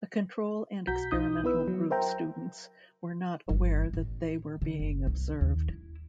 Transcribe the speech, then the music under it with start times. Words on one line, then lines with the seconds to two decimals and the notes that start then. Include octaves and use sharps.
The control and experimental group students were not aware that they were being observed.
0.87 B1 F#4 A#5 G6 B6
1.11 B1 D#4 D#6 G6
1.44 B3 E4 B4 E6
1.68 F#3
1.90 A#4 C5 E5 G5 A#5
3.49 G1
3.93 A1
4.62 D3
4.79 F#1
5.07 C2
5.41 D#2
5.69 E4